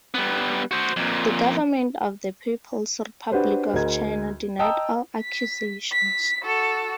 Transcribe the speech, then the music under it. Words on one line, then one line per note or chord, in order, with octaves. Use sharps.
The government of the People's Republic of China denied all accusations.
G3 B3
F#4 C5
F2 A#2
D4 F#4 G4 B4 C5
D2 G#4 A#4 D#5 G#6
D#5 G5 A5 A#5 D#6 E6
B6
B6
F#4 A4